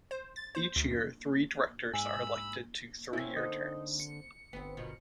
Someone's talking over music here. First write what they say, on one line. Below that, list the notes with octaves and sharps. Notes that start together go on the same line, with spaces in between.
Each year, three directors are elected to three-year terms.
C5
A6
C5
D2
F#2
G#2 G#5 B5 E6
A#3 C4 C#4 E4
D3 D#4
C#7
G1 B3 C4
B2 D#3 F3